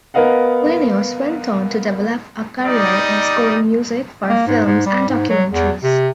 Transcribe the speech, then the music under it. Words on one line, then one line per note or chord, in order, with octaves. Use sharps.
Lanois went on to develop a career in scoring music for films and documentaries.
B3 A#4 B4 D#5 F5 F#5
G3 D#4 D5 D#5 D#6
A#3
G#2
G#2
G3
G#2
F#3
E2
C3